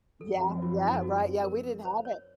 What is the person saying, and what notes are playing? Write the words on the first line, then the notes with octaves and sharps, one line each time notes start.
yeah yeah, right, yeah, we didn't have it.
F#2 F3 C4 A4
F#4
F4
D#4
A4
F#4
A#4
C5
C#5